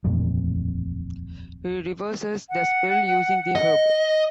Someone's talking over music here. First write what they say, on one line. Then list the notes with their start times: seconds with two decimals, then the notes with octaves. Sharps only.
He reverses the spell using the herb.
0.04 D#1 A1 F2 A#2
2.50 F#5
3.55 D#5